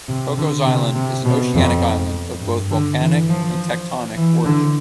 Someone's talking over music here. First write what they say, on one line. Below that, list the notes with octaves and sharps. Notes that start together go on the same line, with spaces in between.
Cocos Island is an oceanic island of both volcanic and tectonic origin.
C3
D3
C3
C3
B2
F2
G2
D3
E3
F3
E3
D3